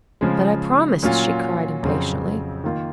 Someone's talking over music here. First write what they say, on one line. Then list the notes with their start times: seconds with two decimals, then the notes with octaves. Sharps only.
"But I promised!" she cried, impatiently.
0.21 C#3 F3 G#3
1.03 A#2 F#3 C#4 F4
1.83 F2 C#3 F#3 C4
2.64 D#3 A#3 F4